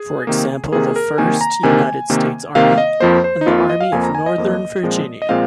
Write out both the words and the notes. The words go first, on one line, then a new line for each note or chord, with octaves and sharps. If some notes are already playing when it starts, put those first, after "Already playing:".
For example, the First United States Army and the Army of Northern Virginia.
Already playing: G#4
C3 D#3 A#3
C3 D#3 A#3 G#4
A#4
C3 D#3 A#3 G#5
A#5
C3 D#3 A#3 G#5
C3 D#3 A#3
C3 D#3 A#3 F5
D#5
F2 F3 A#3 C5
C5
D#4
F2 F3 A#3 F4
F4
D#5
F5
F2 F3 A#3 G#5
A#5
G#5
D#5
F2 F3 A#3
A#2 F3 G#3 C4
D#5
A#2 F3 G#3 C4 F5